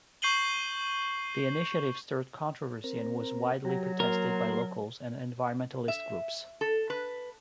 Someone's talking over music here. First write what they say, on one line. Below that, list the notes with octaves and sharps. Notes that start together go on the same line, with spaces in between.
The initiative stirred controversy and was widely protested by locals and environmentalist groups.
C#6 G6 C7 D#7 F#7 G7
C4 A#4
F#3 F#4 G4 A#5
A#3 F#4 A#4 C6
E5
A4
B4